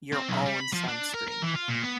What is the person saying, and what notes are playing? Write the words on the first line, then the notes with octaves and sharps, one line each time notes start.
your own sunscreen,
C4
B1
G3
B5
F3
D4
A#4
A#4
E3
F4
A#2
B3